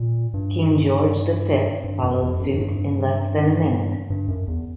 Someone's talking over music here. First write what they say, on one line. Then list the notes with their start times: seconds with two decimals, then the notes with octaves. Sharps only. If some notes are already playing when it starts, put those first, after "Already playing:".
"King George the Fifth" followed suit in less than a minute.
Already playing: A#2
0.34 G2
1.84 G2
2.03 F#2
2.23 F2
2.41 F#2
2.60 G2
4.10 G2
4.28 F#2
4.48 E2